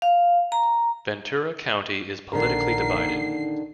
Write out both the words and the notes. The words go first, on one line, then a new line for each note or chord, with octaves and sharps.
Ventura County is politically divided.
F5
A#5
A#1 D3 D#3 A#4 C7